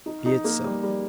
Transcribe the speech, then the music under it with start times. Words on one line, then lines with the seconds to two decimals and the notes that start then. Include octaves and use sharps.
Be it so.
0.06 D#4
0.26 D#4
0.44 A#3
0.64 G3
0.83 G3